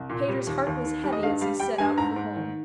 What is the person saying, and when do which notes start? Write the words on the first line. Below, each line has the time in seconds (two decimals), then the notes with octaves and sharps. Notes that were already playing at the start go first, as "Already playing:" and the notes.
Peter's heart was heavy as he set out for home.
Already playing: C2
0.10 A#2
0.28 G3
0.47 D#2
0.66 D#2
0.84 D#3
1.04 G3
1.13 D#5
1.23 G2 F5
1.41 G3 F5
1.60 G3 G5
1.78 G2 G#5
1.98 G#2 A#5
2.16 G#2
2.36 D#3